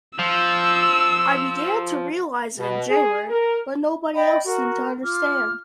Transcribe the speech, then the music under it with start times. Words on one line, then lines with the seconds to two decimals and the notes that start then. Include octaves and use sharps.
I began to realize it in January, but nobody else seemed to understand.
0.19 F3 E6
2.58 B2
2.89 G#4
3.29 A#4
4.14 D5 D#5 G5 B5
4.43 F#4 A#4
5.03 F4 D6 F6